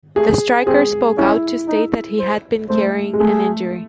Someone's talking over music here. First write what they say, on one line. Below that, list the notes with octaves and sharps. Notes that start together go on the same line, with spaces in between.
The striker spoke out to state that he had been carrying an injury.
A3 G#4
C4 G#4
C#4 E4
D#4
C5
A3 C5
G#3
A3 G#4